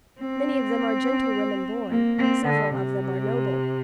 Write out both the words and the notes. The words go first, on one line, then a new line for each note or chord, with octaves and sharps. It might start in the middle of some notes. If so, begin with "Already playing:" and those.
Many of them are gentlewomen born; several of them are noble.
C4
A#3
C4
D3
C3